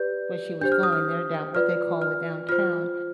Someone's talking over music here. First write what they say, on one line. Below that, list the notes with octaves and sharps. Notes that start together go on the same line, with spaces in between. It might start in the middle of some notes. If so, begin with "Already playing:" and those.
where she was going there, down what they call it, downtown,
Already playing: G4 B4 D5 G6
D4 G4 C5 G6
F6
D#6
F6
F4 B4 D5 F6
F6
F4 C5 F6